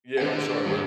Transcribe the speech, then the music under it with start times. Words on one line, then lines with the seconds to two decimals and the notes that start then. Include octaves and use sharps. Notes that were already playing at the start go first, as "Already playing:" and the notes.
Yeah, I'm sorry, what?
0.18 D4 F#5
0.65 G2